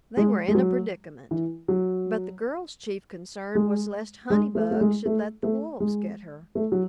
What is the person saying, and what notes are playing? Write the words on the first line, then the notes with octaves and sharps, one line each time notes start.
They were in a predicament; but the girl's chief concern was lest "Honey-bug" should let the wolves get her.
G#3
G#3
F#3
E3
F#3
G#3
G#3
A3
A3
G#3
A3
A3
G#3
A3
F#3